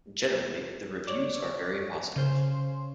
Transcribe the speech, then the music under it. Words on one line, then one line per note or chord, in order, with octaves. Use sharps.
Generally the reviews are very positive.
C#5 D5
C#3 C5